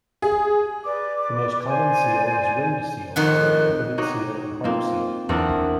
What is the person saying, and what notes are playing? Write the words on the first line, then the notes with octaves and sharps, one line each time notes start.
The most common seal is ringed seal, followed by hooded seal and harp seal.
G#4
B4 D5 D6
C5 D5 G#5
F2 D#3 F#4 F#6
D#4 F#4 G4 C#5 D#5
A#3 C4 F4
E2 C4 D4 A#4 F#5 E6